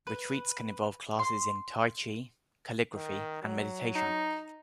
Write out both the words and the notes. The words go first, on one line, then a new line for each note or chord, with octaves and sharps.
Retreats can involve classes in t'ai chi, calligraphy and meditation.
B4
C6
D#3
F#3
D#4